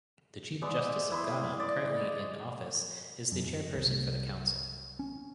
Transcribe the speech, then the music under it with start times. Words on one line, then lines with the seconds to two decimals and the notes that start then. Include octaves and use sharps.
The Chief Justice of Ghana currently in office is the chairperson for the Council.
0.62 G#3 B3 D5 E5
1.11 E4 C6
1.58 D5 D#5
3.32 F#2
3.75 C2
4.99 C#4